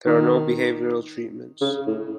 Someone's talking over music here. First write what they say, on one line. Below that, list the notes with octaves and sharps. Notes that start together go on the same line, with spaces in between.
There are no behavioral treatments.
D#3
C#3
A2